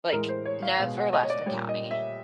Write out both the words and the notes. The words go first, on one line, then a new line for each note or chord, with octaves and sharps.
Like, never left the county.
A2 E3 G#3 A#4
C5
C#5
F5
B2 G#3 F5
F#5
D#5
C#5
D5
G3 C#5
A#2
D#5
E5